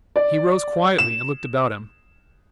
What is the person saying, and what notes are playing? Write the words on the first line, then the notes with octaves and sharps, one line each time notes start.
He rose quietly and looked about him.
D5
E7